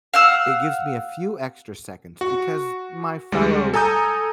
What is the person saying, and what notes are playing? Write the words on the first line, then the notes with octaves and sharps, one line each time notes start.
it gives me a few extra seconds because my fellow
F5 F#5 E6
F#4
D2 G3 G#3
A4 G#5 A#5 D#6 G6